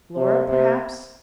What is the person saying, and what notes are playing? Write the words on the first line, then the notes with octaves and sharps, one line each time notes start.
Laura perhaps....'
C3
C3